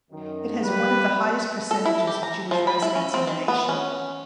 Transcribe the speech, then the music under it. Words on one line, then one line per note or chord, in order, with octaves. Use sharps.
It has one of the highest percentages of Jewish residents in the nation.
F#2 D#3
G3 B4
A4
E4
G4
A#5
F3
B5
E4
C#4
C4
D#3
B3
C#4